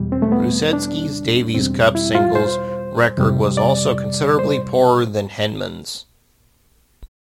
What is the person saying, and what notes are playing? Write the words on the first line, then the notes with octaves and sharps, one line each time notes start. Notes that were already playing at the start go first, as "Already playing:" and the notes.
Rusedski's Davis Cup singles record was also considerably poorer than Henman's.
Already playing: E2 B2 G3
C4
A3
B3
D4
E2 B2 G3 C4
E4
F4
C5
F2 C3 G3
D5
C5